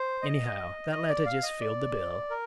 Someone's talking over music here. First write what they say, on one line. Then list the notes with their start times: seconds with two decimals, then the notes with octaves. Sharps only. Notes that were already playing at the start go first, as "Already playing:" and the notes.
Anyhow, that letter just filled the bill.
Already playing: C5
0.22 D#5
0.92 D#5
1.09 D5
1.26 F5
1.43 D#5
1.60 D5
2.30 A#4